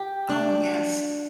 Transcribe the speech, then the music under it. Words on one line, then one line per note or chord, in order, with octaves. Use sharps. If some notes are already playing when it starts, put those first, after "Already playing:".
Oh, yes.
Already playing: G4
D4